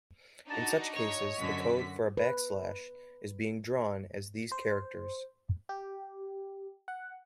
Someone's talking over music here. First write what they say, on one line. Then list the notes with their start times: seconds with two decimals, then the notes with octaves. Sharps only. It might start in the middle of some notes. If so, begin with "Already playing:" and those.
In such cases the code for a backslash is being drawn as these characters.
0.50 D4 D#4 F#4 A5
0.96 C#5 D#5
1.39 F#2 D3 F#4 B6
2.17 B4
4.52 C5
5.69 G4
6.88 F#5